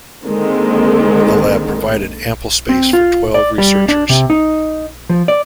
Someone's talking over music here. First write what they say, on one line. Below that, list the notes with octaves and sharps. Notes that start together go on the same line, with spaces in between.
The lab provided ample space for twelve researchers.
D3 D#3 G#3 A#3 C4
C4
F4
D5
G3
D4
C3
D#4
F3
D5